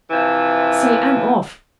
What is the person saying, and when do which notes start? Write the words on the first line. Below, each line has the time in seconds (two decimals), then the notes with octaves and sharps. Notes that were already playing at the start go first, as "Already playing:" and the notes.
Say, I'm off!
0.10 C3 E3 F3